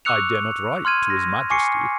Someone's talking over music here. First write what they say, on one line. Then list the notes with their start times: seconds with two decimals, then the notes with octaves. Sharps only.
"I dare not write to his majesty."
0.05 C#6 D6 E6 F#6 C#7 F7
0.85 C6 F6 G#6 D#7
1.10 A#6
1.50 G#5 C#6 D6 C7 C#7